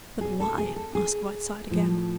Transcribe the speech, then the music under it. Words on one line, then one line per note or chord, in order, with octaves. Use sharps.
"But why?" asked Whiteside again.
B2 G3 G#4
A4
G#4
A4
G#4
A2 F3